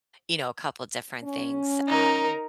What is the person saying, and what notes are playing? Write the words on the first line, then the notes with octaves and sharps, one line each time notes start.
you know, a couple different things. Um
C#4
D#4 A#4